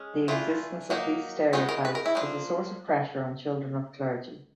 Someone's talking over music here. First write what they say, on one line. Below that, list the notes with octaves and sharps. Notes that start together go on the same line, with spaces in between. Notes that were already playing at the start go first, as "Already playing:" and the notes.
The existence of these stereotypes is a source of pressure on children of clergy.
Already playing: G#3 C#4
E3 A3 D4 F4
F#3 A#3 D#4
G#3 B3 D#4 F4
A#4
B4
A#4
E4
F3 A#3 D4